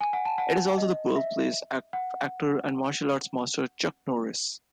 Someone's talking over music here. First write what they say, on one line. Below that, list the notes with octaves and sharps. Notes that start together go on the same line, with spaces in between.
It is also the birthplace of actor and martial arts master, Chuck Norris.
G#5
F#5
A5
F#5
D#5
E5
F#5